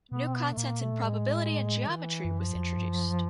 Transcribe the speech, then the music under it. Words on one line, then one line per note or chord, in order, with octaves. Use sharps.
New content in probability and geometry was introduced.
B2 B3
C4
B3
A3
A#2 A#3
B2 A3
A#2
A2 G#3
D#3
E3
F#2
F3
F2
G2
F#2